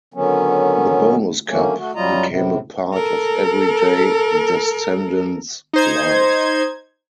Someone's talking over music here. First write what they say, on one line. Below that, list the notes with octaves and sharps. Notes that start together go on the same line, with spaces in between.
The Bonus Cup became a part of everyday Descendants life.
D3 D#3 F#3 B3 C#4
D3 D#3 F#3 A3 A#3 C#4
A3 F#4
F#2 F#3 G3 F4 D#5 A#5
A2 C3
A4 A#4
D#4 C5 G#6